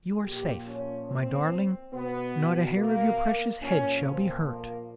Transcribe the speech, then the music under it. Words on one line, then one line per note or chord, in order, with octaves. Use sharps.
'You are safe, my darling; not a hair of your precious head shall be hurt.
A#2 F3 G4
C#4
C4
B2 B3
A#3
A#2 F3 C#4
C4
A#3